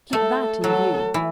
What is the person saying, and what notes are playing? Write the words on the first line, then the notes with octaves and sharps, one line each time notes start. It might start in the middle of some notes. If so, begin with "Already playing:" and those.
Keep that in view.
A3 A4
F#3 A4
E3